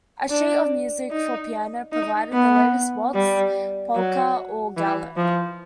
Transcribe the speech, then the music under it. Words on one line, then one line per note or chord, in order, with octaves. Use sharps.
A sheet of music for piano provided the latest waltz, polka or galop.
D4
D#4
D#4
B3
G3
F#3
E3
F3